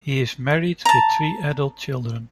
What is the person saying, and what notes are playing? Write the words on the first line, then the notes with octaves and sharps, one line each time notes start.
He is married with three adult children.
A5 A#5